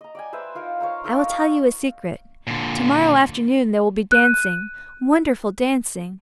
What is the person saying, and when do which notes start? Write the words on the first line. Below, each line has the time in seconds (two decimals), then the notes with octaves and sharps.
I will tell you a secret. Tomorrow afternoon there will be dancing--wonderful dancing!
0.01 D#5 A#5
0.15 D5 G5 G#5
0.33 B4 C5 E5 G#5
0.55 D#4 F4 A#4
0.80 C5 C#5 F5 A#5
1.04 D#4 A4 A#4 C#5
2.47 A#2 D3
4.12 F#6 D#7